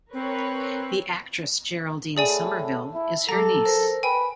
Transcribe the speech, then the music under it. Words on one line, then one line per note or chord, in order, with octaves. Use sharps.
The actress Geraldine Somerville is her niece.
C4 A#4 B4 C#5
A2 G#4 D5 G#5 A5
E4
F#3 A4 A#5 D6
A#4 C5
B4 G5 G#5 B5